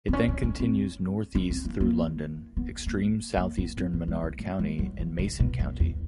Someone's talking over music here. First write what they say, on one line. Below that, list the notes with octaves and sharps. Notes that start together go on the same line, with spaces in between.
It then continues northeast through London, extreme southeastern Menard County, and Mason County.
C4
C#4
C#4
C#4
C4
C#4
C4
A#3
A#3
B3
A#3
A#3
B3
C4
A#3
G#3
A3
A3
G#3
F#3
F3
D#3
B2
F#2
E2